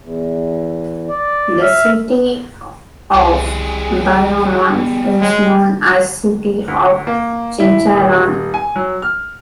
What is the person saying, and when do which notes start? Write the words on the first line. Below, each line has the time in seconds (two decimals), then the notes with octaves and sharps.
The city of Bayamon is known as "City of Chicharron".
0.03 E2
1.09 D5
1.62 E5 F6
3.14 C2 G3 G#4
4.74 B3
5.22 F#3 G#3
6.68 D2
7.07 A#3
7.60 E4
7.94 D#1
8.54 G#5
8.76 F#3
9.02 F6